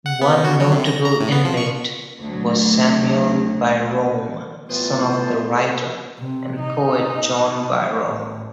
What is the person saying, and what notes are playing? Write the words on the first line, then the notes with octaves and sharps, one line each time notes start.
One notable inmate was Samuel Byrom, son of the writer and poet John Byrom.
F#5
B3
F#4
F#3
C3
A#6
A#5
A2
B3
F3
C#6
D2 F#3
A2 E3 G3 B3 F4 C5
C3
D#4
A1